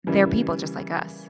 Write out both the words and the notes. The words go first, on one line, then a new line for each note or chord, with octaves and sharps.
there're people just like us.
C#3 E3 G3 A#3